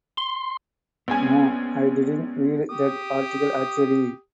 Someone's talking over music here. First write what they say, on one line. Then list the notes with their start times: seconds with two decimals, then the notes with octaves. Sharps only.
No, I didn't read that article actually.
0.17 C6
1.08 A#1 G#3 B3 C#4 G#5
2.69 G4 D#6